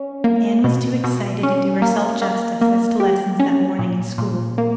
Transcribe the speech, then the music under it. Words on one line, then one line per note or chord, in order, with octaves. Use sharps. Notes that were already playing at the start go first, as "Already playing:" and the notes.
Anne was too excited to do herself justice as to lessons that morning in school.
Already playing: C#4
A#3
B2
B2
C#4
A#3
A#3
A#3
G4
C#4
A#2
A#2
A#3